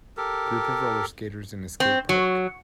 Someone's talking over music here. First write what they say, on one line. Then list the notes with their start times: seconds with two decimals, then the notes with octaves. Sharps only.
Group of rollerskaters in a skate park.
0.17 G4 A4 A#4
1.80 C4
2.09 F#3